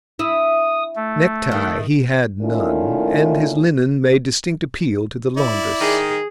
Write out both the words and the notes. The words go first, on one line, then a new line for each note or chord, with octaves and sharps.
Necktie he had none, and his linen made distinct appeal to the laundress.
E4 D#6
A3
D#3
A#2 D#3 A3 C#4 E4 F4
E4 D5
D#3 G#4